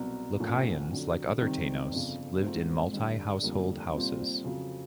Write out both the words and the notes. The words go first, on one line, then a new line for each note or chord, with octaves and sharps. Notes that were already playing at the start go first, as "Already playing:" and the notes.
Lucayans, like other Tainos, lived in multi-household houses.
Already playing: C2 B2 F#3
A1 A2 F3 A#3 C#4
F2 D3 F#3
C3 D#3 G3 C4
G1 F2 C#3
G#2 F3 A3 C4
G2 D3 G3
F1 F2 D3 G3 A#3
C2 A#2 G3 C4 F4
F2 C#3 F#3